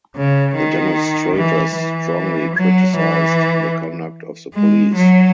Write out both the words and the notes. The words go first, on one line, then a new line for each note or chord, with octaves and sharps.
The demonstrators strongly criticized the conduct of the police.
C#3
D#3
E3
E3
F#3
E3
G#3
F#3